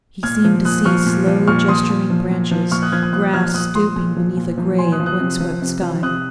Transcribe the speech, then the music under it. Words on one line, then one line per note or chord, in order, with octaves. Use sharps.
He seemed to see slow-gesturing branches, grass stooping beneath a grey and wind-swept sky.
A#2 F6 G#6
F3
A#2 D#6 F#6
F3 C#6 F6
A#2
F3
A#2 C#6 F6
F3 C6 D#6
A#2
F3
A#2
F3
A#2 C#6 F6
D#6 F#6
F3 F6 G#6
D#6 F#6
A#2 D#6 F#6
F3 F6 G#6
A#2 D#6 F#6
F3 C6 D#6
A#2
F3
A#2
F3
A#2 G#5 C6
D#6 F#6
F3
D#6 F#6
C3
F3
C3
F3
C3 D#6 F#6